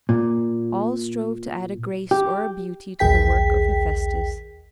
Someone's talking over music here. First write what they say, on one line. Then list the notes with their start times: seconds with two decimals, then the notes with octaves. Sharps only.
All strove to add a grace or a beauty to the work of Hephaestus.
0.09 A#2
2.11 G4
2.99 A#1 D#2 G#4 G5 B6